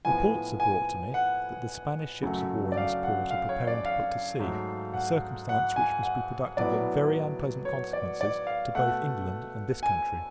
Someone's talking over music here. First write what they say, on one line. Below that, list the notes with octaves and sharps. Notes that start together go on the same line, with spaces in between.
Reports are brought to me, that the Spanish ships of war in this port are preparing to put to sea; a circumstance which must be productive of very unpleasant consequences, to both England and this country.
A2 F3 B3 G#5
G#5
F#5
F#2 C#3 F#3 A3
D5
F5
F#5
F5
C#5
D5
F5
G#2 F#3 A3
F#5
F#5
G#5
F#5
A2 F#3 B3 D5
C#5
D5
D5
F5
B2 A3 F#5
G#5